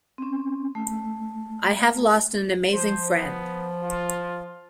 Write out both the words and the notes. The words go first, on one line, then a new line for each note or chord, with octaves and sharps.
I have lost an amazing friend.
C4 C#4
A3
F3 C5
B3
F4